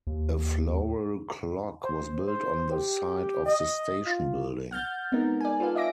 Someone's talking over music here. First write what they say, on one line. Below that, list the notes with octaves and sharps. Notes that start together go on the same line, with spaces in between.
A floral clock was built on the site of the station building.
D#2
C5
C5
G4
D#5
F4
F#5 F6 G6 A6
G#3 B3 C4 D#4 A#4
D5 G#5
F4 A4 B4 F5
D#5 E5 D6 A#6 D7